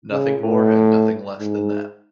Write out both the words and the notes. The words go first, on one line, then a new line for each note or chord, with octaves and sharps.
Nothing more and nothing less than that.
C#3
A2
G#2